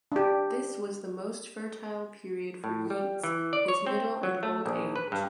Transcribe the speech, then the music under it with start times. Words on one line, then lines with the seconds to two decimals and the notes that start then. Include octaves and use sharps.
This was the most fertile period for Yeats, his middle and old age.
0.12 D4 G4
2.64 A2
2.90 G3
3.24 E3
3.53 D5
3.68 C#5
3.87 C4
4.23 F#3
4.43 A3
4.66 A#1
4.96 B4
5.12 G2